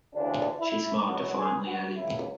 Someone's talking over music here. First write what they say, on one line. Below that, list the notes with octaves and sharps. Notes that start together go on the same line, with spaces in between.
She smiled defiantly at him.
D2 C#3 E3 D4
E4
E2 B2 F#3 F#4
G#4
F#4
C#2 C#3 F#3 E4